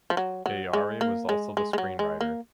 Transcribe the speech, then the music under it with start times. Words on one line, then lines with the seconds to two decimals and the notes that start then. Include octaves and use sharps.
Ayari was also the screenwriter.
0.10 F3
0.17 F#3
0.46 F#3
0.73 G#3
1.01 A#3
1.29 G#3
1.57 G#3
1.73 G#3
1.78 F#3
1.99 G#3
2.21 A#3